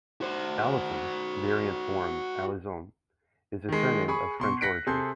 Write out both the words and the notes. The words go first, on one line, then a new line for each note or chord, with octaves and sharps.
Alison, variant form Alizon, is a surname of French origin.
F#4 C5
D#3 G#3
G#4 B5 C#6 D#6
B2 C6 C#6
F#6 A#6 B6 C#7 D7
C3 G#4 A4 C6 G6